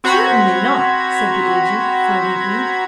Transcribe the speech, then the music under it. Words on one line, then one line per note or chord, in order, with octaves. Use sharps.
"Certainly not," said the agent, fervently.
C4 F#4 C5 A#5 B5 G#6